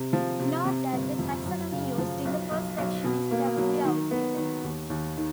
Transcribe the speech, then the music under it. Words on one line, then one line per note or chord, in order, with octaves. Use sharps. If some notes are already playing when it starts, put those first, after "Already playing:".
Note that the taxonomy used in the first section is probably outdated.
Already playing: C3
F3
C3
C3
G1
F2
F#2
C#3
F3
B1
B1
B1
B2
A#3
F#3
D#3
B3
D#3
D#2
D#2
D#3